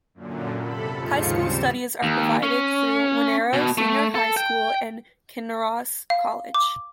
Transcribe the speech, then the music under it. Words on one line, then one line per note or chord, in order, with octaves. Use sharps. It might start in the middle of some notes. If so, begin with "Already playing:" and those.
High school studies are provided through Wanneroo Senior High School and Kinross College.
F#2 A#2 D3
C3 A4 B5
D#2 G#2 C#3 F3 F4 C#7
G3 C4 E7
D#2
C#4
B2
A3
A4
G5
F5
D6